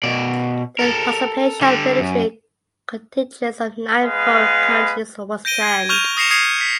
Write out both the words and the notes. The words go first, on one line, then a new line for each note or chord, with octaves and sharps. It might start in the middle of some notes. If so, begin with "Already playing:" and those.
The participation of military contingents of nine foreign countries was planned.
B2 D5
A4 A#4
D3 G3
F#2
G#3 B3 B4 F5
G6 A#6 D7 D#7 G7
G#6
C#6 F6 G6 D#7 F7 G7
D#6 A#6 C7 C#7 E7 F7
D#6 G#6 C7 C#7
B6